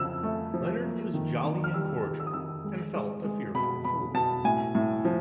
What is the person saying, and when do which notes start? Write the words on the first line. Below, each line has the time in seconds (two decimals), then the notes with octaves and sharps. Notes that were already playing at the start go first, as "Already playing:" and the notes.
Leonard was jolly and cordial, and felt a fearful fool.
Already playing: C#3 F3 E6
0.23 A3
0.54 F3
0.84 A#3
1.14 D#3
1.44 D#3
1.64 F6
1.74 G3 E6
2.04 D#3
2.20 E6
2.27 D#6
2.33 D#3 E6
2.64 G#3
2.95 G#3
3.24 G#3
3.55 B2 B5
3.85 B2 B5
4.14 B2 A5
4.44 A2 G#5
4.75 A2
5.05 F3